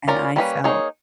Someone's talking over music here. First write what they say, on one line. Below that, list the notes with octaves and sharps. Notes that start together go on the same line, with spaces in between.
and I felt
C#4 F4 A#4 D5
G3 A#3 C#4 F#4 B4
A#3 D#4 G#4 C#5